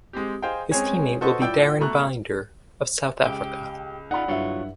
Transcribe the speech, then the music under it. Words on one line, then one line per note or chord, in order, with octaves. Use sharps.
His teammate will be Darryn Binder of South Africa.
G#3 C4 G4
G#4 C5 D#5 F5 G5
G#3 C4 C#4 G#4 C#5
F#4 A4 B4 C5 D#5 C#6
A2 F3 D5 G5 E6
B2 A3 A#5 C#6 F#6
C#2 G4
D#4 F4 D5 F#5 B5
G2 F#3 E4 F4 C#5 E5